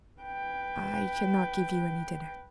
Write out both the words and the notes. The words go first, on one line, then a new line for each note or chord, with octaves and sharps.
"I cannot give you any dinner."
B4 G5